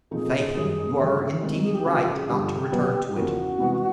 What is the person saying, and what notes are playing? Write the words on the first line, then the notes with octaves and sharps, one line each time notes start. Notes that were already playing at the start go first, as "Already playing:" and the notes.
Faith, you are indeed right not to return to it.
A#2 F3 A3 C4 D#4 G#4
F#2 D#3 G3
G#4
G2 D3 F3 A3 D4 G4
D#3 G#3 C4
A4
G#4
G4
C#3 F3 A3 F#4
F4
F#4
G#4
G2 D3 F3 G4
B2 F#3 B3
E2 C#3 F3 A#3 F#4
C3 E3 G#3 B3